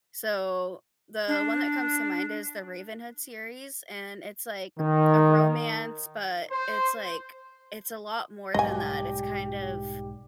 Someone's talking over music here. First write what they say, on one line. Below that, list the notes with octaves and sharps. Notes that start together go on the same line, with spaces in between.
so, the one that comes to mind is The Ravenhood series, and, it's like a romance, but it's like it's a lot more than that, it's kind of
D4
D#3
C5
B1 G#2 G3 G4 D#5 G#5